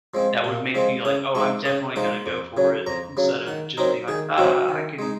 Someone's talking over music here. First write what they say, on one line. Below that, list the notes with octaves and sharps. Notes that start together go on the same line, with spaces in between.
that would make me, like, "Oh, I'm definitely gonna go for it," instead of just being like, "Ah, I can
F3 G#3 C4
A#2
F3 G#3 C4
C#3 D#6
F3 G#3 D#4 C#6
C#3 D#6
F3 G#3 D#4 C6
F2
C#3 F#3
F2 A#5
C#3 F#3
D#3 F#5
F#3 C4 D#4 A#4
D#3 G#4
F#3 C4 D#4 F#4
D#3
G#3 D#4